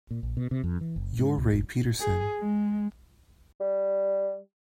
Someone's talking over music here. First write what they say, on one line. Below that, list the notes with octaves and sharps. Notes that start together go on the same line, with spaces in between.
You're Ray Peterson.
A#2
A#1
B2
C3
F2
E3
F#1
G#2
C#2
F1
G#4
G#3
G3